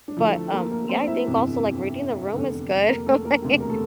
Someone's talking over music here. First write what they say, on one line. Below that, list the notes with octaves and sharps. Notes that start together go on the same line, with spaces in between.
But, um, yeah, I think also, like, reading the room is good, like,
D4
D2 D3 F3 E4
A3 A4
A#3 A#4
A#3 A#4
C4 C5
E4 E5
G1 F2 C3 E3
F1 E2 D3
A#3 A#4
A3 A4
A#3 A#4
E1 D2 C3
A#4
A3 A4